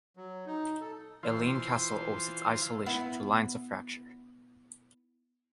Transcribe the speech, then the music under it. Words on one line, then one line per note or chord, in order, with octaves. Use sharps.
Elaine Castle owes its isolation to lines of fracture.
F#3
D#4
A4
E3 F4 C5
B3 E4